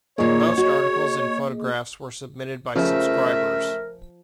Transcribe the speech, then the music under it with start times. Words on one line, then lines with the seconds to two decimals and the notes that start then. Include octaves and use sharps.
Most articles and photographs were submitted by subscribers.
0.18 D#2 A#2 A#3 G#4 C#5 D#5
0.58 F#4
2.75 C#3 F3 A3 A#4 E5